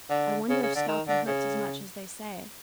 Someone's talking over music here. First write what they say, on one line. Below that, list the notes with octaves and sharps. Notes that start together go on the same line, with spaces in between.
I wonder if scalping hurts as much as they say.'
D3
C#3
C#3
D3
D#3
D3
C#3